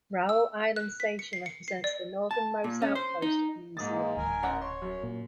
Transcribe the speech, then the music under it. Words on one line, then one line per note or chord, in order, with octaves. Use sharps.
Raoul Island Station represents the northernmost outpost of New Zealand.
E6
F#6
B6
C#7
C7
C#7
C7
D5
A5
A#2
C#4
C5
D#4
G#2 G#3 A#3 D#6 A6
D1 A#4 G#5
A1 F#5 A#5
C#5 C6
F#2
A#2